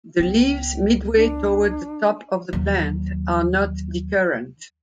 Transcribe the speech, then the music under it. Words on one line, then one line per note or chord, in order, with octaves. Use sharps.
The leaves midway towards the top of the plant are not decurrent.
C#2 B3 G5
D4
D#2 F#3